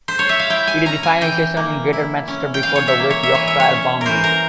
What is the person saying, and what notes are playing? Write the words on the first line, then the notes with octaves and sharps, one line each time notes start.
It is the final station in Greater Manchester before the West Yorkshire boundary.
C5
C#5
E5
F5
E4 G5
G#5
C#4 A#5
G#5
E3 G5
A#3
E4
C#4
G5
E3 F5
C#5
E5
A#3
C#5
E5
E3 C#5
E5
C#5
C#4
E3 A#4 C5
A#4